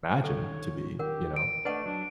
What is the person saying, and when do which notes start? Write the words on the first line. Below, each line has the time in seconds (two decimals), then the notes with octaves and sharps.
imagine to be, you know?
0.24 D#3 A4 C#5
0.99 G4 A#4 F#5
1.36 D7
1.65 A3 D4 B4 D5 D#5 F#5
1.86 F#3 D4